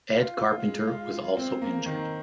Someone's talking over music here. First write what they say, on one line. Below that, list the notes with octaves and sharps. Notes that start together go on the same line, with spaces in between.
Ed Carpenter was also injured.
F4
F4
G#3
F4
F4
C4
A#3
D#3